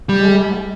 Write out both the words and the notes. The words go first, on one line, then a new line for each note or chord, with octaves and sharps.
Oh, wow.
G3